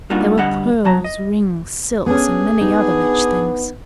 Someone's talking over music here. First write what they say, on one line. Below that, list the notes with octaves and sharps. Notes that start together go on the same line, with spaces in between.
There were pearls, rings, silks, and many other rich things.
G3 A#3 D4 D#4 F4 F#4
D2 G3 D4 D#5 F#5
C2 F#3 A5 A#5
D#5
B3 C#4 D4 G#4
B3 D#4